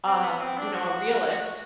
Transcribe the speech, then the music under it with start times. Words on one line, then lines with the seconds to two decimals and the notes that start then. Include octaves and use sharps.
um, you know, a realist,
0.06 C4
0.23 B3
0.40 C4
0.58 D4
0.74 F#4